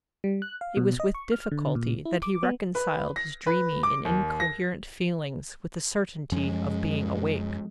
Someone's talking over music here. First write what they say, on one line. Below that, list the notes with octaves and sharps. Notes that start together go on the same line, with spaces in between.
It was with difficulty that he reconciled his dreamy and incoherent feelings with the certainty of being awake.
G3
F#6
F5
B2
D#5
C#6
F6
D3
A#2
E4
D6
B3
B4
A#6
B4
D6
D#2
A#6
F#2 F3 G#3 C#4